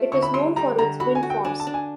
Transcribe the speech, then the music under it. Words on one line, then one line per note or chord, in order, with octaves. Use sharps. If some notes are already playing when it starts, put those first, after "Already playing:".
It is known for its wind farms.
Already playing: A3 F4
D3 C#6
B5
G3 C6
G3 A#5
D3 A#5
F#4 B5
G#5
F#4
G5
D4 G#5
A5
D4
G#5